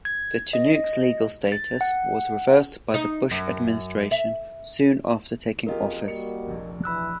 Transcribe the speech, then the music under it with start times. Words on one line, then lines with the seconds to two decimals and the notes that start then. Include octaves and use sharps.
The Chinook's legal status was reversed by the Bush administration soon after taking office.
0.05 G#6
0.53 D#5
1.52 A6
1.81 F#5
2.94 D#4
3.31 F#2
4.11 E5
5.67 B1 F2 A#3 F4 G4 G#4 A#4 D#5
6.08 G3 A#3 F#4 C#7
6.47 F1 A#1
6.84 E3 B5 E6 F#6